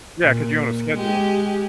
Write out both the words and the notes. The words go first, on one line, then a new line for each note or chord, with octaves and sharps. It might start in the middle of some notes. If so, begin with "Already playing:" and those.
Yeah, 'cause you're on a schedule.
A#2
G#3 G4